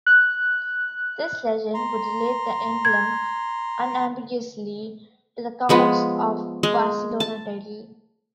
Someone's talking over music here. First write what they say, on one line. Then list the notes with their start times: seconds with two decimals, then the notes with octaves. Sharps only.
This legend would relate the emblem unambiguosly to the Counts of Barcelona title.
0.06 F#6
1.74 A#5 C6
2.85 G#6
5.69 F3 G#3 B3
6.63 G#3
7.20 A5